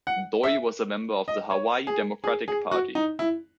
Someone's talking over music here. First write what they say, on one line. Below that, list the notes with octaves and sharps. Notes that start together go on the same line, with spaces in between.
Doi was a member of the Hawaii Democratic Party.
F#5
E5
D#5
C#5
G#4
G#4
G#4
F#4
D#4
E4